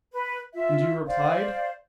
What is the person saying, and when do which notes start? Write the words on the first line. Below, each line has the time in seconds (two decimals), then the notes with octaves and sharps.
"And you replied?"
0.12 B4
0.54 F4 E5
1.07 C5 D5 F5